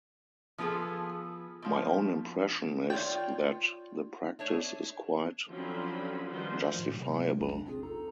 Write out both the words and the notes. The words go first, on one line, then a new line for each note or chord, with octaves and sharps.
My own impression is that the practice is quite justifiable.
F3 B3 F4 G#4 A4
B2 F3
F4 C#5 D5 G5
A3 D4 C#5
D3 F3 F#3 C4 C#4 B5
D#3 F3 G3 F#4 B4 C5
A2 D#3 F3
C3 F#3 G#3
A#1 E2 D4
C4 F4 G#4
D#4 A4 A#5